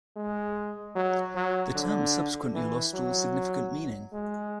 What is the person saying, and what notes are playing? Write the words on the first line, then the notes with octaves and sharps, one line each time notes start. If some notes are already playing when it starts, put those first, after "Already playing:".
The term subsequently lost all significant meaning.
G#3
F#3
F#3
D3
E3
F#3
G#3